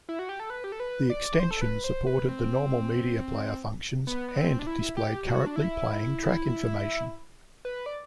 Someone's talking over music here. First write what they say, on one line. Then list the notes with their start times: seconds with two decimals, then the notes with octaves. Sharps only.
The extension supported the normal media player functions and displayed currently playing track information.
0.09 E4
0.19 F#4
0.29 G4
0.40 A4
0.50 B4
0.64 G4
0.72 A4
0.80 B4
1.10 D5
1.39 C5
1.51 A4
1.61 B4
1.84 C5
2.06 B4
2.28 C4
4.07 B3
4.28 B3
4.37 C4
4.59 D4
4.67 E4
4.97 G4
5.27 F#4
5.46 D4
5.56 E4
7.65 B4
7.86 D5